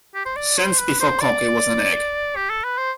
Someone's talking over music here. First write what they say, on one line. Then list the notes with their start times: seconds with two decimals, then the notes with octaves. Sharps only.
Since before cocky was an egg.
0.15 G4
0.25 C5
0.36 D5
0.58 C5
0.79 B4
1.00 C5
1.21 D5
2.36 G4
2.50 A4
2.64 B4
2.78 C5